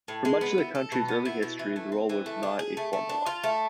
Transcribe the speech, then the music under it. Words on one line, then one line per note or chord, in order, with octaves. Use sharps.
For much of the country's early history, the role was not a formal one.
A2
G#3
B3
E4
A4
B2
B3
E4
B2
E3
A3
C4
E3
A3
D4
G#4
A3
A3
D4
F4
A3